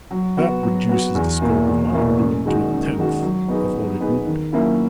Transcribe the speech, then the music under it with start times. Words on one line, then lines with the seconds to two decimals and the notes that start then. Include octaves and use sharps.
That reduces the scope of my argument to a tenth of what it would be.
0.11 F#3
0.37 B3 F#4
0.63 F#3
0.89 B3 F#4
1.15 E2
1.41 B2 A#3 E4
1.67 E2
1.93 B2 A#3 E4
2.18 F#2
2.45 D#3 G#3 D#4 F#4
2.70 F#2
2.97 D#3 G#3 D#4 F#4
3.22 F#3
3.48 B3 D#4 G#4 B4
3.74 F#3
4.00 B3 D#4 G#4 B4
4.27 D#3
4.53 F#3 A#3 C#4 E4